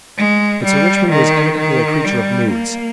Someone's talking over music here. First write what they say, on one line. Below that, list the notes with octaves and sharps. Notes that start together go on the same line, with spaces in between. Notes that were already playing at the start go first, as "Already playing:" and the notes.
But Sir Richmond was evidently a creature of moods.
G#3
G3
D#3
D#3
G3
A#3